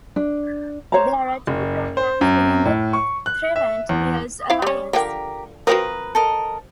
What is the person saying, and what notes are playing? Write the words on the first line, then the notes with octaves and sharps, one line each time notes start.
There are two programs within the Thrivent Builds alliance.
D4
C5 C#5 F5 A#5
F#1
C5
F#2
A2
C#6
F#6
E5
E2
E4 F5
G3 C#4
D3 F3 G4 A#4 G5
F3 C4 F#4 A#4 B4 D#6
A4 A#4 D#5